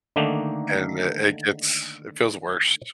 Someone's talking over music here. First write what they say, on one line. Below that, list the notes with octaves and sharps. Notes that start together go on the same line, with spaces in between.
and it it it's it feels worst.
D3 D#3 A3 A#3 D4 D#4